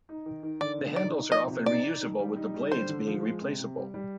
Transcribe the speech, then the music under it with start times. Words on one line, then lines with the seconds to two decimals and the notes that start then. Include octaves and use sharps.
The handles are often reusable, with the blades being replaceable.
0.09 D#4
0.26 D#3
0.43 D#3
0.61 D3 D5
0.78 D3
0.96 D#4 D5
1.14 D#4
1.31 F3 D#5
1.49 C3
1.66 D#4 D5
1.84 D#4
2.01 D#3
2.19 G3
2.36 D#4
2.54 G3
2.72 D3 C5
2.89 D3
3.07 F3
3.24 G#3
3.41 C3
3.59 C3
3.77 G3
3.94 G3